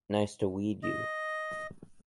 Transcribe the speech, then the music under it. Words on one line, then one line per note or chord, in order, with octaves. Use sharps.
Nice to "weed" you!
D#5